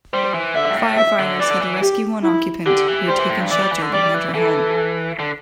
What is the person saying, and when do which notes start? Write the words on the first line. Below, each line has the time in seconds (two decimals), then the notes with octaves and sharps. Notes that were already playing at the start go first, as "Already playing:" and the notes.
Firefighters had to rescue one occupant who had taken shelter behind her home.
0.13 G3 C5
0.34 E3
0.55 D3 E5
0.70 G2
0.77 A2
0.97 E5
1.19 D3
1.40 E3 D5
1.51 D3
1.60 E3
1.82 G4
2.24 E4
2.66 D3 G4
2.88 E3
3.08 G3 C5
3.19 E3
3.30 A2
3.41 G2
3.50 E3 D5
3.62 G3
3.72 E3
3.82 D3
3.93 G3 D5
4.14 E3
4.35 E3 A4
5.20 D3